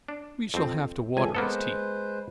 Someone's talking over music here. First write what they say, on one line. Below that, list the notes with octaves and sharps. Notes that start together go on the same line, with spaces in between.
"We shall have to water his tea."
D4
F2 C4
C#2 E3 A4 G#5
G#3 A#3 B3 A4 B4 C5